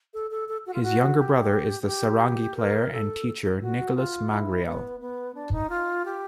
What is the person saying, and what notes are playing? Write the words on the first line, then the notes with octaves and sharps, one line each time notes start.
His younger brother is the sarangi player and teacher Nicolas Magriel.
A4
A4
A4
F#4
F4
F#4
G4
G#4
G4
A#4
A4
F#4
F4
E4
B3
B3
D4
D#4
F4
G4